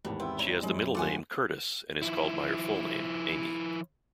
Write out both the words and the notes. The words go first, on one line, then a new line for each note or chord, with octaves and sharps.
She has the middle name Curtis, and is called by her full name, Amy.
G#1 E2 A2 G3 F#5
B3 C4 E4 G4
C#5 A#5
F#2 G#3
D2 F4 A4 F#5 G#5 D6
F3 E4